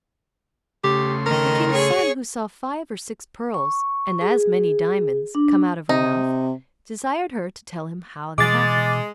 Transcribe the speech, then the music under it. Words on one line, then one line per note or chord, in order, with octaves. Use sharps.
The King's son, who saw five or six pearls, and as many diamonds, come out of her mouth, desired her to tell him how that happened.
C#3 A3 G4 C6
D#3 A#4 D#5
G#4 C#5
C#6
G#4
D4
C3 D#4
B2 E3 G#3 D6 A6